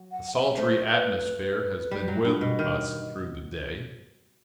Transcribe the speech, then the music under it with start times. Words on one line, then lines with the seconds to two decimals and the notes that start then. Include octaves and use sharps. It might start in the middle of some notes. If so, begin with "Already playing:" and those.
A sultry atmosphere has been with us through the day.
Already playing: F#3
0.12 F#5
0.34 E5
0.56 A3 C5
0.91 B4
1.91 G3
2.08 F#3
2.25 G2
2.41 B2
2.59 D#3